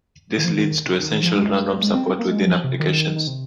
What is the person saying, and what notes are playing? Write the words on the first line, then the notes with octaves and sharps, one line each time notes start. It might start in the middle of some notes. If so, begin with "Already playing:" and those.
This leads to essentially random support within applications.
D#3
F3
D#3
C3
D#3
D#3
F3
G#3
G#3
C4
C4
A#3
G#3
F3
C3
D#3
D#3
C3